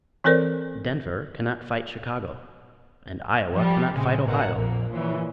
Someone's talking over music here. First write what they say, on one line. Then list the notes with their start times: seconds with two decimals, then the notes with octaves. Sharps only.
Denver cannot fight Chicago and Iowa cannot fight Ohio.
0.24 E3 C4 A4 A#4 C5 D5
3.52 F3 G3
3.93 A#1 C#3 G#3 C4
4.25 A1 B2 A#4 F#5
4.53 A#1 F2 A#3
4.90 A#2 C#3 E3